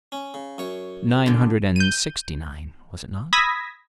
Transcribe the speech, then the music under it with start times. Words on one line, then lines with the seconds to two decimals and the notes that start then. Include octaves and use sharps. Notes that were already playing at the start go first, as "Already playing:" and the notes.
"Nine hundred and sixty-nine, was it not?" I asked.
0.12 C#4
0.34 C#3
0.58 F#2 C#5
1.26 G#2 D3
1.76 G6 D#7
3.33 B5 D#6 E6 G#6 A#6 B6